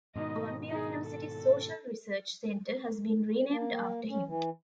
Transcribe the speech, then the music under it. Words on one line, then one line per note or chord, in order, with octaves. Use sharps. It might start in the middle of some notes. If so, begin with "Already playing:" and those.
Columbia University's social research center has been renamed after him.
G#2 B2 D#3 D#4 D#5
D#4 G#4
A4
A#3
C#4
E3